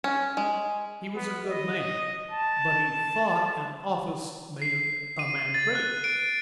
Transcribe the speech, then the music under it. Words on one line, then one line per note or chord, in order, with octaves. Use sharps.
He was a good man, but he thought an office made a man great.
C#4
G#3
B3
D#5
A5
C7
D#7
A6
F#6
D7